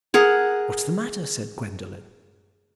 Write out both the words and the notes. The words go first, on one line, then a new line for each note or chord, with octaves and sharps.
"What's the matter?" said Gwendolen.
G#4 A#4 F#5